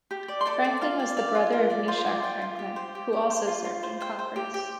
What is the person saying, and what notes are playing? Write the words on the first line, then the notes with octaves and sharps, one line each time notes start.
Franklin was the brother of Meshack Franklin, who also served in Congress.
G4
D5
C6
A4 D5 A5
D5
F4 F5
D5
D5 F5
F4
F4
D5
F4 C5 C6
D5
F4 G5
F4
G4
C5
G4
G4
C5
F4
F4
C5
C5 G5
C5
G4
G4